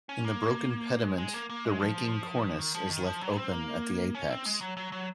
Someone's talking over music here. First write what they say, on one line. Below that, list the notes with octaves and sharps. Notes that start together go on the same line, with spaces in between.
In the broken pediment the raking cornice is left open at the apex.
C#4
A#3
G#3
G#3
A#3
A#3
G#3
F3
D#3
F3
D#3
F3
F#3
C4
A#3
C#4
C4
G#3
F#3
F#3
F#3